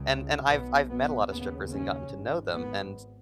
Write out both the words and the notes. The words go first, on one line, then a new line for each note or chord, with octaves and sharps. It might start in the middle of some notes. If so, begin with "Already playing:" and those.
And and I've I've met a lot of strippers and gotten to know them, and
Already playing: C#2 C#3
B1 B2 B3
B3
D#2 C#3 B3
C#4
G#1 G#2
B3